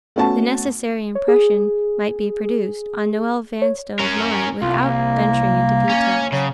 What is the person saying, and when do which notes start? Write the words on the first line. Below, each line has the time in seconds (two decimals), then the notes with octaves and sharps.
The necessary impression might be produced on Noel Vanstone's mind without venturing into details.
0.16 A3 B3 C#4 F#4 A5
1.15 C#5
1.28 G#4
3.62 C#5
3.99 C#4 A#4
4.62 C2 F4
4.84 A#3
5.90 C#4
6.32 C#3 F#3